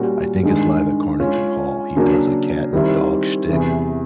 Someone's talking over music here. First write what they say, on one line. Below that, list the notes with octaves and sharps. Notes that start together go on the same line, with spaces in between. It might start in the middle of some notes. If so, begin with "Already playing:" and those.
I think it's Live at Carnegie Hall; he does a cat and dog shtick
Already playing: A#2 G3 A#3 C#4 F#4
G2 D#3 G#3
G#3 C#4 F4
C#3 F#3 A#3 D4
D#3 G3 C4 E4
E2 C3 E3